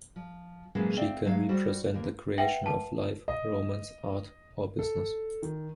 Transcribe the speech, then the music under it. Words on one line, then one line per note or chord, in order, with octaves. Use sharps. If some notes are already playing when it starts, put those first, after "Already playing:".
She can represent the creation of life, romance, art, or business.
F3
A2 C#3 E3 F#3 G#3 A#3
C4 D5 E5 F5 G5
F#3 G#3 A3 F5
G3 F#4 A4 C5
D#2 A#3
B4 E5 F#5 G5 A#6 F#7
B4 A5
D#5
A4
D#3